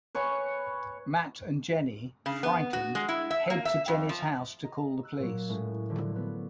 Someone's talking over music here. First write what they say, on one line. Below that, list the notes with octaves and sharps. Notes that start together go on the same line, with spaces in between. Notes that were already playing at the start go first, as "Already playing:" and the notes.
Matt and Jenny, frightened, head to Jenny's house to call the police.
B4 C#5 G#5 C#6
C#3
B3
F#4
G#3
E4
E5
A#3
E5
F2
F3
D#5 A#5
E6 F#6
A#2 F#3
A2 G#3 C#4
D3 F3 F#3
D3 B3